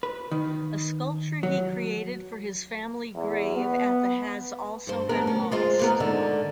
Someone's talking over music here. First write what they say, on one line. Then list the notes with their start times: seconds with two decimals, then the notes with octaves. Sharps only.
A sculpture he created for his family grave at the has also been lost.
0.03 B4
0.31 D#3
1.43 F#3
3.15 E2
3.56 B3
4.87 G2 C5
5.09 D2 B3 A#4
5.27 C#4
5.52 G#3 F4 C5
5.79 A#3 B3 A#4
6.00 G#2 D3 D#3